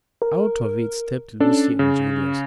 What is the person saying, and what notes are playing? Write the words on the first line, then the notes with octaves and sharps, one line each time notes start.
Out of it stepped Lucy and Julius.
A#4
C#4 D4 A4
C#3